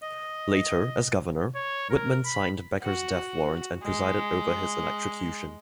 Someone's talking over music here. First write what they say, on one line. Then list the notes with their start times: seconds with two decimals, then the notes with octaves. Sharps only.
Later, as governor, Whitman signed Becker's death warrant and presided over his electrocution.
0.02 D#5
1.55 C#5
1.90 A#4
2.25 B5
2.82 F#4
3.84 G#3